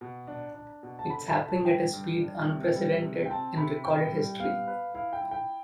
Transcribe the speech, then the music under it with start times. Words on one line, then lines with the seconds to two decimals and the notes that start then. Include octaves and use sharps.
It's happening at a speed unprecedented in recorded history.
0.01 B2
0.28 D4
0.55 D4
0.83 B2
0.99 A5
1.10 D3 B5
1.28 B5
1.37 D3
1.47 A5
1.65 G2 G5
1.93 G2
2.20 D4
2.47 C3
2.75 G3
3.02 C3
3.26 G5
3.30 C4 A5
3.57 C3 B5
3.85 E4 G5
4.12 G3
4.40 B3 F5
4.67 B4
4.94 E4 F5
5.13 G5
5.22 E4
5.31 G5